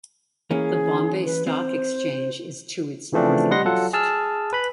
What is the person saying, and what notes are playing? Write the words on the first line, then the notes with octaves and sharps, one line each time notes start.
The Bombay Stock Exchange is to its north east.
E3 A#3 C#4 G#4
B4
C4 C5
C#3 E3 F3 A3 C4 D4
G3 D#5 F#5 C6 A#6
F#3 F4 A4 F#5
G#4 A5 E6 F6
B4 B5